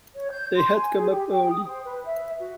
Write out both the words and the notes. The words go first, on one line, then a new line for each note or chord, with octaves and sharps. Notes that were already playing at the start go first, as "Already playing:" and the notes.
They had come up early.
C#5
G6
C6
G#5
G#4
G4
G5
D#6
C5
B4
E5
F#4